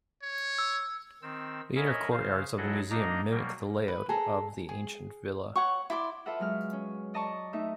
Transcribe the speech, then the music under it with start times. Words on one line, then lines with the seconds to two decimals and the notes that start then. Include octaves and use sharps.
The inner courtyards of the museum mimic the layout of the ancient villa.
0.23 C#5
0.58 E6
1.22 D#3 C4 E6
1.76 A#4 C#5 D#5 E5 G#5 B5
2.12 C#3 C5 F5
2.57 F#3 E4 F#4 G#4 A4 D#5
2.90 A#3 D4 D#4 D#5 A#5
3.30 B2 F#3 G3 A#3
3.88 B4
4.09 G#4 A4 A#5
4.69 G#4
5.56 C#5 F#5 C#6
5.90 E4 D5 C6 D6
6.26 F4 A4 B4 E5 F#5
6.40 F#3 G#3 F6
6.73 C#4
7.14 D5 D#5 A5 A#5 C#6 D#6
7.53 A3 D#4 E5